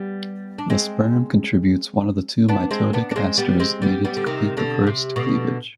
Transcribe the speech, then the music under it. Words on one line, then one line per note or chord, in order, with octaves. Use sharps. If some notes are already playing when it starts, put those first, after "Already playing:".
The sperm contributes one of the two mitotic asters needed to complete first cleavage.
Already playing: G3 B3
D4
G#3 C4
B3 D4
G#3 C4
B3 D4
D4
G#3 C4
G3 B3
G#3 C4
G3 B3
G3 B3
D3
C3 D#3
B2 D3
C3
B2 D3